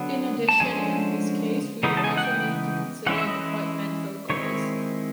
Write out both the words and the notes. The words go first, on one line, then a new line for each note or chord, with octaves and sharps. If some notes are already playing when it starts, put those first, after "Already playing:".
In addition, in this case, we would also need to consider departmental goals.
Already playing: D3 F#3 B3
A5
D3 F3 G#3 C#4 G#5
C#3 E3 G#3 B3 D#4
A5
G#5
F#5
G5
E3 G#3 C#4 E4 F#5
E5
D#5
D#3 G#3 C4 E4 C#5